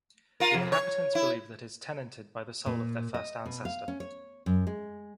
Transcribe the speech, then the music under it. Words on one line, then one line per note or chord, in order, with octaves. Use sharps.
The inhabitants believe that it is tenanted by the soul of their first ancestor.
F4 A#4
F2
C#5
E4
A#2
D#5
B2
F5
C#4
C#5
F#2
G#3